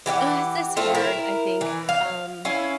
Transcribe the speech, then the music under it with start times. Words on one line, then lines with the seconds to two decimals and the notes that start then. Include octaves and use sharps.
Uh, it's just hard, I think. Um
0.06 E3 G4 E5 F#5
0.77 A3 C4 F4 A4
0.95 E4 A#4
1.61 E3
1.89 F5
2.45 C#4 E4 F5 G#5